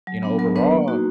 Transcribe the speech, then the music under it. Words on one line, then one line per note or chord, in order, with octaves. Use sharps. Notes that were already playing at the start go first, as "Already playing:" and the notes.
you know, overall
F#3
B3 D4
F#3 A#4
B3 D4 B4
A#3
D#4 F#4